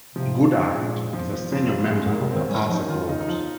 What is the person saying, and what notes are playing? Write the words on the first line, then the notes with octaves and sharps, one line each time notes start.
Goudie is a senior member of the House of Lords.
C3 F3
A#2 G#3
F3
F3
F3
G3
G#2 G#3
G#2
A#3
C3
D#3 C4
G3 C#4
F3 D#4
D#3 F4
C#3 D#4
D#4
F3 F4